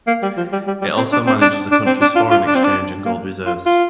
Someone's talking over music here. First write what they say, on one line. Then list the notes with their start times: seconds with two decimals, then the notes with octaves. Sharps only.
It also manages the country's foreign exchange and gold reserves.
0.07 A#3
0.23 G3
0.37 F3
0.52 G3
0.67 G3
0.81 G3
0.97 C4
1.12 D4
1.27 C4
1.41 D4
1.72 D4
1.86 C4
2.02 D4
2.16 F4
2.31 F4
2.47 D4
2.55 C4
2.64 D4
3.05 A#3
3.46 F4
3.66 F4